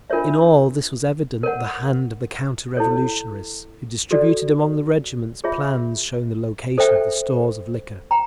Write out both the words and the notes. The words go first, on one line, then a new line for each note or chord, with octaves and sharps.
In all this was evident the hand of the counter-revolutionists, who distributed among the regiments plans showing the location of the stores of liquor.
D4 F4 A#4 C#5 E5
A#4 C#5 F#5
E4 A4 C#5
F#4 A4 D5
F4 G#4 C#5 E5
A4 C5 E5 G5
G5 A#5